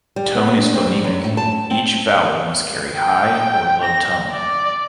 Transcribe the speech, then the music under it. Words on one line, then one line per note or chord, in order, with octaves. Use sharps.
Tone is phonemic; each vowel must carry high or low tone.
G3
B3
D4
C4
G3
F#2
A2
A5
C4
G5
A#6
D5